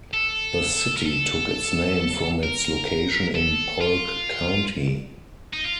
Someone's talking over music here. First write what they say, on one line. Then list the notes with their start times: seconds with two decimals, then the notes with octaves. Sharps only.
The city took its name from its location in Polk County.
0.14 A4
0.97 A#4
1.06 A4
2.43 A#4
3.35 A4
3.81 F4
5.53 D#4
5.64 F4